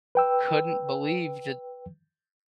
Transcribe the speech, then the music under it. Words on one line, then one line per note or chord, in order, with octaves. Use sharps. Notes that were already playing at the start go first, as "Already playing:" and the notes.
couldn't believe that
B4 G5 E6